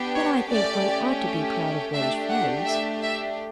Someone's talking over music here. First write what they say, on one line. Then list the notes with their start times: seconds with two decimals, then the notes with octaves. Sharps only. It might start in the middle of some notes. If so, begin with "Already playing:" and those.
"But I think one ought to be proud of one's friends."
Already playing: B3 D4 G4
0.14 C#5
0.50 A3 C#4 G4 D5
1.94 A3 D4 G4 E5
2.30 F#5
2.66 E5
3.01 E5